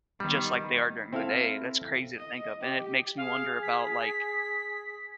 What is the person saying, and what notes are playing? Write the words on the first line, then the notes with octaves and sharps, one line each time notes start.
just like they are during the day, that's crazy to think of, and it makes me wonder about, like,
D#3 G3 B3
C4 E4 A4 E5 F5
D#5
G4
G#4 F5
B6